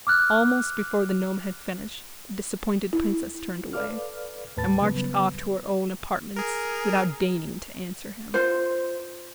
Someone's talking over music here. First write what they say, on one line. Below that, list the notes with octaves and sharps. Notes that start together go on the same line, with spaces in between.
Almost before the gnome had finished, the disappointed princess turned away, and marched off to her own apartments, without deigning to answer him.
D6 F6 F#6
E4
A4 B4 D5 F5 D6 F6
D#2 A2 B4 A5 A6
C#3 F#3 G3 B3 B4
G#4 A#4
F4 C5